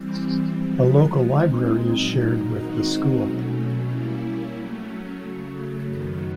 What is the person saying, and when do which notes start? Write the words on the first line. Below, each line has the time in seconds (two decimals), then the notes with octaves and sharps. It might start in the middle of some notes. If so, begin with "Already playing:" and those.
A local library is shared with the school.
Already playing: E3 G3 C4
0.58 F3 G#3 B3
1.24 G#3 C4 D#4
1.90 A#2 F#3 A#3 D#4
2.55 D#3 G#3 C4 D#4 F#4
3.22 B2 F#3 A3 C#4
3.88 G3 A#3 C#4 E4
4.54 F#3 A3 C#4
5.20 C#3 F#3 A3
5.86 F#2 D#3 F#3 B3